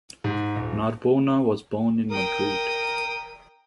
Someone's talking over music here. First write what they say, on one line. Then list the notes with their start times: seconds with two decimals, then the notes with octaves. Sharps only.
Narbona was born in Madrid.
0.24 G#2
0.56 D#1
2.11 A#4 G5 D#6